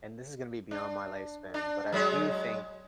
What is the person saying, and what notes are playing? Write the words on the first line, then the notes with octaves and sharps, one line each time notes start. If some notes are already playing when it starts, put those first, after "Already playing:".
and this is gonna be beyond my lifespan, but I do think
D4
D4
F#3 G#3 C#5